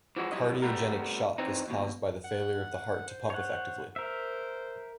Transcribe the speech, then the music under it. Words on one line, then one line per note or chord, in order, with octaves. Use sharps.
Cardiogenic shock is caused by the failure of the heart to pump effectively.
E3 F3 G#3 F#4
F#3 G3 E4 D#5
C2 G3 A3 B3 A#4
E3 C4 D#4
D#2 B2
F#5
C5
C#5 F#5
A#4 C5 E5